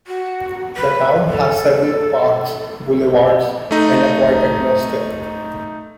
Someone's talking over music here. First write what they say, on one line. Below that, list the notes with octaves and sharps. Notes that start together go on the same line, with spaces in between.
The town has several parks, boulevards and a quiet atmosphere.
F#4
B4
A4
A3 D#4